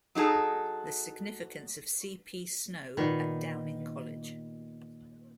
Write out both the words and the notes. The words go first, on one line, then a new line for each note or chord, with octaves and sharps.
The Significance of C. P. Snow at Downing College.
F#3 D#4 G#4 A4
A#2 D#3 B3